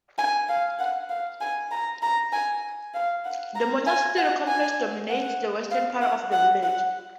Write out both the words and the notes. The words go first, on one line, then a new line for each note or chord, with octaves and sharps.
The monastery complex dominates the western part of the village.
G#5
F5
F#5
F5
G#5
A#5
A#5
G#5
F5
F#5
A#5
G#5
F#5
G#5
F#5
F5
F#5
F#5
F#5